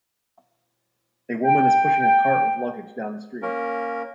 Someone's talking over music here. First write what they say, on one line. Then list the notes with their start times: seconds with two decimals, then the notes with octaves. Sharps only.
A woman is pushing a cart with luggage down a street.
1.45 G5
3.42 A#3 C#4 A#4